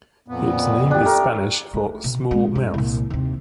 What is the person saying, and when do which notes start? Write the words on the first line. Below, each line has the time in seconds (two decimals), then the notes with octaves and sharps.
Its name is Spanish for "small mouth".
0.28 F2 A#2 B3
0.91 D4 G4
1.05 A3 A#4
1.74 A3
2.04 B2
2.31 G#3 C4
2.55 G2
2.74 C2 A#2
3.10 D#2 C3